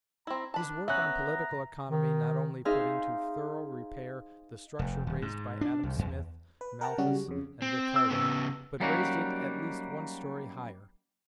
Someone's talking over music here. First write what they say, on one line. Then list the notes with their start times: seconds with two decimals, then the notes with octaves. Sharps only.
His work on political economy not only put into thorough repair the structure raised by Adam Smith, Malthus, and Ricardo, but raised it at least one story higher.
0.27 C4 E4 A#5
0.54 D4 A5 B5
0.88 B3 C#4 E5 A#5 F#6
1.90 D#3
2.65 D#4 G#4 C5 E5 F5
4.79 F1
5.07 D#1
5.22 G#2
5.61 D4
5.83 C2
5.99 E2
6.61 B4
6.81 A#4 F#5 G5 A5 A#5
6.98 C#3 F#3 G3 C#4 F#4 G#4
7.28 F2 C#3
7.62 C4
7.96 E6
8.10 C#3 B3
8.80 F#3 G3 A#3 C#4 D#4 F#4